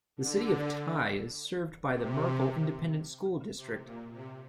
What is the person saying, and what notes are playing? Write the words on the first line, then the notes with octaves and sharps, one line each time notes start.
The City of Tye is served by the Merkel Independent School District.
D3
C3
C3
A#2
C3